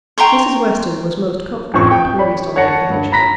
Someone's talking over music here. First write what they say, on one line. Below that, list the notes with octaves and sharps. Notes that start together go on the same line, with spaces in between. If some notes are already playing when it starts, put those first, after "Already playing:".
Mrs. Weston was most comfortably pleased on the occasion.
G5 A#5 C6 C#6
A1 F2 C4 C#6
G5
C#5 D5 B5
C#5 F#5 A5 A#6 C#7
G2
A#5 B5 A#6 B6